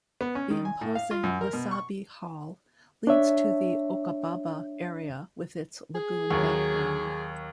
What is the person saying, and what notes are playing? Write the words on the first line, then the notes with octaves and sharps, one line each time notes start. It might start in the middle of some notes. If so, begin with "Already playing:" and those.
The imposing Lisabi Hall leads to the Okobaba area with its lagoon background.
B3
C#4
D#3
G#5
A2
F5
F4
F#2
A#4
B2
C#6
D4 C#5 E5
G#4
D#2 F#3